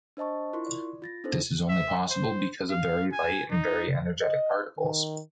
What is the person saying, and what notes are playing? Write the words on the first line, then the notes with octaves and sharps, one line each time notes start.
This is only possible because of very light and very energetic particles.
D4 C5 D#5 A5 C#6
E4 F4 A#4 C6 C#6
D5
F4 A6 A#6
C4 D4 D#4 A4 C5
E5
C5
F5
G#5
D#4
D#5
D#3